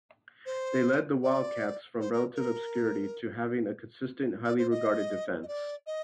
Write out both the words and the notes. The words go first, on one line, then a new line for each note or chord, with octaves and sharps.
They led the Wildcats from relative obscurity to having a consistent, highly regarded defense.
C5
D5
C5
A#4
A#4
D5
C5
D#5
D#5
D5
D#5